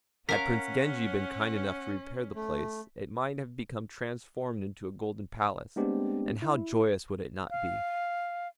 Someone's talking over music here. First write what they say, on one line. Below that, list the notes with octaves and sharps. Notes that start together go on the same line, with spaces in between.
Had Prince Genji been kind enough to repair the place, it might have become transformed into a golden palace, and how joyous would it not be?
C#4 A#4 F5 F#5 A#5 B6
A3
G#3 A3 B3 C4 D4 G4
E4
F5